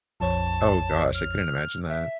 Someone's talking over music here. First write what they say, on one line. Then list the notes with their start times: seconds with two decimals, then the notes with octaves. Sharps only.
Oh gosh, I couldn't imagine that.
0.20 A#1 F2 C#5 A5
1.15 F6
1.89 E5